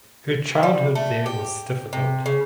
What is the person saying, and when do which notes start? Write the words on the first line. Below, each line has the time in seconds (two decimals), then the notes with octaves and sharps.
Her childhood there was difficult.
0.63 G3
0.95 A3
1.26 G4
1.93 C3
2.26 C#3